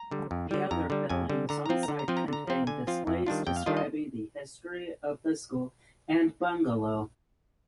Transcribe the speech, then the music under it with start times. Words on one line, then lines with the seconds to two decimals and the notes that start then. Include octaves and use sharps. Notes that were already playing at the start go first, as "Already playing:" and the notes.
The other buildings onsite contain displays describing the history of the school and bungalow.
Already playing: A#5
0.11 D3 G3
0.31 F2
0.51 D3 G3
0.71 F2 A#5
0.90 D3 G3
1.09 F2 G#5
1.29 D3 G3
1.49 D3 A#5
1.66 A#5
1.69 F3 C4 F4
1.83 A#5
1.88 D3
1.99 A#5
2.08 F3 C4 F4
2.17 A#5
2.28 D3 A#5
2.47 F3 C4 F4
2.67 D3 G#5
2.87 F3 C4 F4
3.07 F2
3.27 D#3 G3 D4 F4
3.47 F2 G5
3.56 F5
3.66 D#3 G3 D4 F4 D#5
3.77 D#5